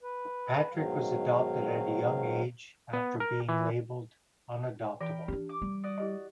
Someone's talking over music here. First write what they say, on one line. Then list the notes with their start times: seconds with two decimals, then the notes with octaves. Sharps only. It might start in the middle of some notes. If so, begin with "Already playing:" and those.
Patrick was adopted at a young age after being labeled "unadoptable".
0.01 B4
0.73 G#2 B2 D#3 F#3 F5
2.93 B3
3.20 A#4
3.49 E3
5.01 E3 A#4 G5 B5
5.28 C#4 D4 G4
5.49 D6
5.62 G3
5.84 F#4 D5 D#6
5.98 E4 G4 D#5